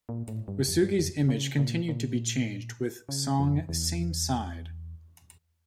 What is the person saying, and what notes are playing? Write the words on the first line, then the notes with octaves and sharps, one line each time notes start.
Wesugi's image continued to be changed with song "Same Side".
A#2
A2
G2
F2
G2
F2
C#3
A#2
A#2
C#3
F2
E2